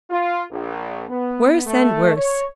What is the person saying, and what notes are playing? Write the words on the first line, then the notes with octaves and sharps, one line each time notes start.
"Worse and worse."
F4
A#1
B3
A3
C#5